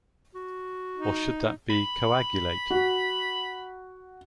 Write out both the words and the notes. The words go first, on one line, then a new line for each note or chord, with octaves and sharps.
Or should that be coagulate?
F#4
D#4
B5
F#4